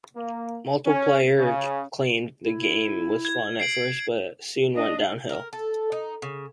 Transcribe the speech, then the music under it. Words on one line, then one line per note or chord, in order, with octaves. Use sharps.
Multiplayer claimed the game was fun at first, but soon went downhill.
A#3
C#4
C#3
E4
G#6
C7 D7 F#7
D4 D#5
A#4
A4
D#4
C#3